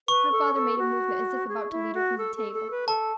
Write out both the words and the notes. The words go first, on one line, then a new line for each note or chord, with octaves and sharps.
Her father made a movement as if about to lead her from the table.
B4 C#6
A4
A4
F#4
G#4
E4
F#4
A4
A4
A4
B4
A4 A5